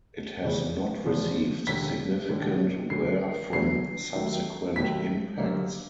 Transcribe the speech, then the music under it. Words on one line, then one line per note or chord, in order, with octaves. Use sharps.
It has not received significant wear from subsequent impacts.
F1 E2 C#3 F3
F1 E2 C#3 F3
E1 D#2 D3 B6
E1 D#2 D3
D2 D3 F#3 C7
D2 D3 F#3 C7
D#2 D#3 F#3 A3
D#2 D#3 F#3 A3 B6
F#2 D3 G3 A#3